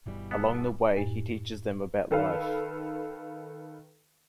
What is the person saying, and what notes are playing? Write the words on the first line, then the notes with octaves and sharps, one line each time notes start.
Along the way, he teaches them about life.
G1 B2 E3 G3
B3 A4 F#5 A5
F#2 A2
D#3 A4 B4 F5